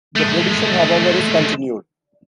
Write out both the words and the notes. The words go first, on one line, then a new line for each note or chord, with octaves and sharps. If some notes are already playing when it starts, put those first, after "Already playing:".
The tradition however is continued.
G#3 A3